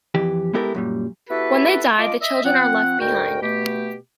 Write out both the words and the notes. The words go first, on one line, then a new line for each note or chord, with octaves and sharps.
When they die, the children are left behind.
F2 E3 G4
G#3 B3 E4 G4 A4 A#4
F#2 A#2 G3
B3 E4 F#4 G4 A4 B4
F4 D#5 D6
D#5 E5
F3 C4 F#5
D2 G#2 F#4 A#4 G5
B2 A3 G4